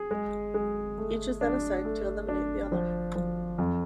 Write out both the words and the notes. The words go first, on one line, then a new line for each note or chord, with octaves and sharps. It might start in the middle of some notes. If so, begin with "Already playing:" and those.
Each is then assigned to eliminate the other.
Already playing: G#4
G#3
G#3
A3
D4
A3
D4
F3
F3
F2